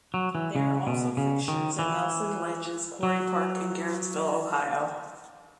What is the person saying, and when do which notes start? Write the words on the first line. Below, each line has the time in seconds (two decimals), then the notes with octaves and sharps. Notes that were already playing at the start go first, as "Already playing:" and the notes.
They are also fixtures at Nelson Ledges Quarry Park in Garrettsville, Ohio.
0.14 F#3
0.35 E3
0.56 C#3
0.87 B2
1.17 C#3
1.48 D#3
1.79 E3
3.03 F#3